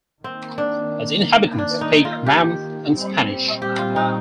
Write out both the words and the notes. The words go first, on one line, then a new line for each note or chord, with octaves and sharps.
Its inhabitants speak Mam and Spanish.
D#3 A#3 C4
D4
D4
D#4
F4
G4
A#2 G3 C4
G4
F4
D#4